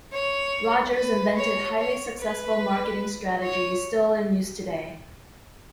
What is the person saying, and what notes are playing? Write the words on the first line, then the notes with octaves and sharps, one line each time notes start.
Rogers invented highly successful marketing strategies still in use today.
C#5
B4
C#5
C#5
B4
C#5